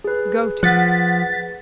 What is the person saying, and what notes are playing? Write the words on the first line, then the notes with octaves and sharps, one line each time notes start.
"Go to it."
G#4 B4
F3 F#5 A6 B6